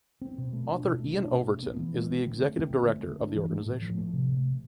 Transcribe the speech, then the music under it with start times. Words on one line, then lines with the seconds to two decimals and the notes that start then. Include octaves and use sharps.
Author Iain Overton is the Executive Director of the organisation.
0.21 C4
0.38 B2
0.53 A3
0.69 D4
0.84 B2
1.00 A3
1.16 D4
1.31 B2
1.47 A3
1.63 B3
1.79 E3
1.94 G#3
2.10 C4
2.26 D3
2.41 A3
2.56 C4
2.73 D3
2.88 A3
3.04 A3
3.20 D4
3.35 E3
3.51 A3
3.66 A2
3.82 F3
3.97 A3
4.13 C3